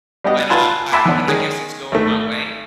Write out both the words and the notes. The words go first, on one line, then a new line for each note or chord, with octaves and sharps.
When I I when, I guess it's going my way.
G3 B3 D4 F#4 G4 D#5
F4 B4 F#5 G#5 A5 C6
E5 G#5 A5 B5 C6 D6
E3 B3 D4
D#3 G#3 C#4 G#5
G#1 A3